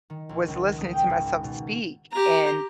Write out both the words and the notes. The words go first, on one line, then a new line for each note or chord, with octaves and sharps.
was listening to myself speak and
D#3
A#1
C#2
D#6
G5
G#1
B2
G4 A#5